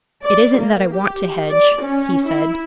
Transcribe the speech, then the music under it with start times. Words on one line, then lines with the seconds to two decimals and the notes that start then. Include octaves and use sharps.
'It isn't that I want to hedge,' he said.
0.25 D5
0.58 A#3
0.94 G4
1.49 D5
1.82 C#4
2.26 E4